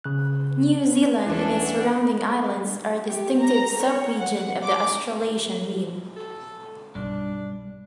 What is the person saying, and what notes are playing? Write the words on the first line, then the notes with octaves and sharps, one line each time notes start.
New Zealand and its surrounding islands are a distinctive sub-region of the Australasian realm.
C#3 F#6
E2 E3 A3 C#4 D4 A4
F#5
G4
A#5
C#5
F#5
D6
A4
B1 G2 G3 D4